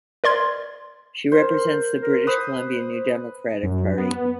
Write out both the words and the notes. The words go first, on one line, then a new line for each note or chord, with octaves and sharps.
She represents the British Columbia New Democratic Party.
A#4 D5 C6 G#6
A#4 C5
A#4
B4 C5 D#6
F#2
B3